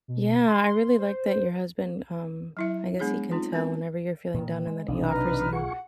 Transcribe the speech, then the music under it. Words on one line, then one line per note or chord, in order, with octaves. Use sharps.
Yeah, I really like that your husband, um, I guess he can tell whenever you're feeling down, and that he offers you,
B2
C6
C5
F#3 E4 E5
G#3 B3 D4 G#4 C#5
C4 D#4 F4
B3 C4 A#4
A#2 D#3
G#3
B1 C3 D4 D#4
B4 A#5 F6
F4 G#4 F#5 C#6